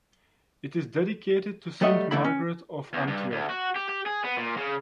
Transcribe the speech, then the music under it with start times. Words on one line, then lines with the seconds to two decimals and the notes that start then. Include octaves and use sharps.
It is dedicated to St Margaret of Antioch.
1.81 F#3 G3 A3 D#5 E5 F#5
2.11 B1 D3 E3 A3 E4 B5
2.25 C#4
2.93 E2
3.07 G2
3.32 D2
3.50 F#4
3.75 G4
3.89 G4
4.06 G#4
4.24 B3
4.37 A#2
4.57 C#3